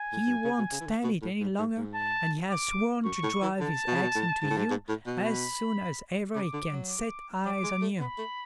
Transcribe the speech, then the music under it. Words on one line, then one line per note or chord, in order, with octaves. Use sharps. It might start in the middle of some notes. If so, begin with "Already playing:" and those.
He won't stand it any longer, and has sworn to drive his axe into you as soon as ever he can set eyes on you.'
Already playing: G#5
A2
G#2
F#2
C#3
B2
C#3
E3
D3
B2
A2
G#2
G#2
G#2
A5
D6
F#2 C#6
A2
E3
D3 A5
B2
C#3
B2
A2
G#2
A2
G#2
G#2
A2
B2
B5
C#3 D6
D3
F#3
D6
F#3 D6
G#3
A3
B3 B5
A3